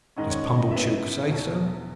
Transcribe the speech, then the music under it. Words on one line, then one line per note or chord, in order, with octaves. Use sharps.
"Does Pumblechook say so?"
G#2 D#3 G#3 C#4 D#5
C#5
C#5
D#5
F#2 E3 B3 E5
E2 B2 F#3